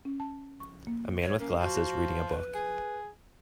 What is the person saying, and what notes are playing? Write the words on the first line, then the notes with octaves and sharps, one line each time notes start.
A man with glasses reading a book.
C#4
A5
C#6
A#3
C#5
A#3 C#4
F3 F#4
B4
G#4